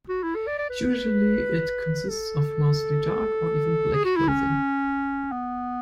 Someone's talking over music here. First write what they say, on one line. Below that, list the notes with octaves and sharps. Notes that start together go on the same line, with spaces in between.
Usually it consists of mostly dark or even black clothing.
F#4
E4
A4
D5
D5
B4
A4
G#4
F#4
E4
C#4
B3